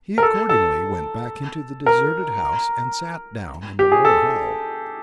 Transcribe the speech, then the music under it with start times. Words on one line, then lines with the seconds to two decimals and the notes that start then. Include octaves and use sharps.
He accordingly went back into the deserted house, and sat down in the lower hall.
0.18 A#4
0.23 A4
0.49 A4
1.86 A#4
3.79 G4
3.92 G#4
4.05 A4